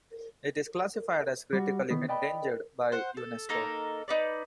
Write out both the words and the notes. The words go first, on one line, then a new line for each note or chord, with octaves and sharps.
It is classified as critically endangered by Unesco.
G3 F#4
B1 D#3 E3 B3
B4 D5 D#5 G5 A5 B5
C5 F#5
A4
A#3 D#4 A4 A#4
D#4 B4 D5